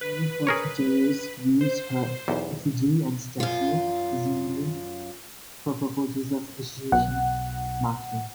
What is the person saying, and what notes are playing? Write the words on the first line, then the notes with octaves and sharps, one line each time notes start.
Many fortune tellers used her effigy and statue, presumably for purposes of association marketing.
B4
G#4 A#4 C#5
C5
B1 E2
F#2 F4
B1 F#5